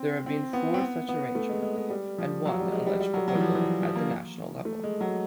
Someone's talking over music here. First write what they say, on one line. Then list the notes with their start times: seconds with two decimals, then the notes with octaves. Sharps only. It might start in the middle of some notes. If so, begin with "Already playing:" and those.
There have been four such arrangements, and one alleged proposal, at the national level.
Already playing: C4
0.26 C4
0.53 B3
0.74 C4
0.80 B3
1.09 B3
1.35 A3
1.49 G#3
1.62 G#3
1.76 G#3
1.90 G3
2.18 F3
2.45 F#3
2.59 G3
2.72 G#3
2.87 G3
3.01 G3
3.14 F#3
3.28 F#3
3.35 E3
3.41 F3
3.55 E3
3.82 F3
3.96 A#3
4.65 A3
4.84 G#3
5.01 F#3